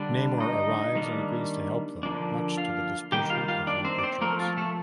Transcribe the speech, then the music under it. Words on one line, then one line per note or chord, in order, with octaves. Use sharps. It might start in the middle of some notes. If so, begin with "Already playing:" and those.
Namor arrives and agrees to help them much to the displeasure of Reed Richards.
Already playing: D3 G3 D4
D#4 D#5
D#3 G3 A#3 D4
D3 F3 A#3 D4
F4 F5
D#3 G3 A#3 G4 G5
F4 F5
F4 F5
D4 D5
C4 C5
D5
C4 C5
F3 A3 A#3 C4 A#4
F4
A3 A4